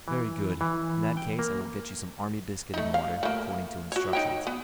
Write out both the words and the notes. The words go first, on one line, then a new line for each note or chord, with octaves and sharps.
"Very good; in that case I will get you some army biscuit and water, according to instructions."
E3
E3
G5
A#3
A3 D#4
F5
A3 A#3
F#4 C#5
D#4 C#5 G5
B3